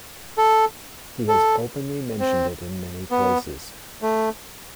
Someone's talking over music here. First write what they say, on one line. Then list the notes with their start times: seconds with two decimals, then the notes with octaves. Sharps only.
He has openly mentioned it in many places.
0.38 A4
1.28 A4
2.20 C4
3.11 B3
4.02 A3